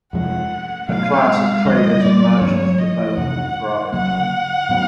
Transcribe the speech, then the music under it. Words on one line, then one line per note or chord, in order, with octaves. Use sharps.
A class of traders and merchants developed and thrived.
F2 C3 F3 G#3 F#5
B2 F#3 A3 F5
C#3 F3 G#3 D#5
D5
G2 E3 G#3 C4 C#5
D#5
F2 C3 E3 F#5
C#3 F#3 A#3 F#5
A2 F#3 B3